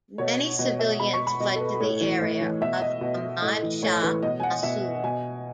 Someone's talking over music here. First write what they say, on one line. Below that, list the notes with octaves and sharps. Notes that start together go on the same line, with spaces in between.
Many civilians fled to the area of Ahmad Shah Massoud.
B2 C#5
B2 D#5
E5
B2 B5
C#6
B5
B2 D#5
A4
B4
A2 C#5
E3
A2 D#5
E3
B2 E5
D#5
B2
A2
E3
A2 C#5
E3 B4
B2 D#5
G#5
F#5
B2 E5
B2 G#5